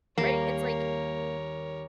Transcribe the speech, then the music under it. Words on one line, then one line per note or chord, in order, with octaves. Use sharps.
Right, it's like,
D#2 G3 A#3 A#4 C#5